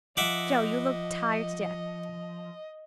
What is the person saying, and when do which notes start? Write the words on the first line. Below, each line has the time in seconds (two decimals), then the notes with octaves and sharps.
Jo, you look tired to death.
0.17 F3 D#5 E5 F#5 D6